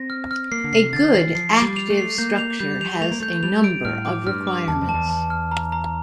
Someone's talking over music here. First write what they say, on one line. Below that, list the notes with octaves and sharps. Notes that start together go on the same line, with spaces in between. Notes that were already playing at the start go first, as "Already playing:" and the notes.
A good active structure has a number of requirements.
Already playing: C4 A#6
F6
F6
A#3 C7
D3
C3 C7
D3 A6
E3 C7
F3 C7
D6
G3
F7
A3
C7
A#3 G6
F7
G3 G6
F7
A3 F7
A#3
A3 G6
G3 F7
D7
A2 F6
D6
G2 F6
D6
E2 A5
F2
A5
E2
A5
F6
A#5
A#5